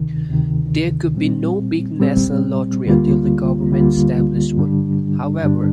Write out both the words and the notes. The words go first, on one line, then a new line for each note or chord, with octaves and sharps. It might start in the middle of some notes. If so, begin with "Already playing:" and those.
There could be no big national lottery until the Government established one, however.
Already playing: D2 C3 D#3
D2 C3 D#3
A#2 G3 C4
A#2 G3 C4
D2 D3 G3 A#3 F4
D2 D3 G3 A#3 F4
G2 D3 G3 D4
G2 D3 G3 D4